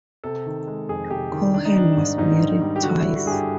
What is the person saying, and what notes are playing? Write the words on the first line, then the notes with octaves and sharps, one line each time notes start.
Cohen was married twice.
C3 A4
D#3
G#3
F2 G#4
C3 G4
D#3
D#3 D4
D#4
G3 D4
G#2
G#2 D#4
D#3
G3
G4
D3 F#4
G3 E4
F#4
G2 G#4
G4